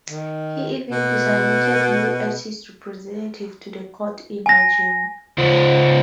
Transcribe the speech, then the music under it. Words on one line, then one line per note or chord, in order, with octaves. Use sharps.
He even designated Liu as his representative to the court in Nanjing.
D#3
B2
G#5 A#6
C#3 F4 C5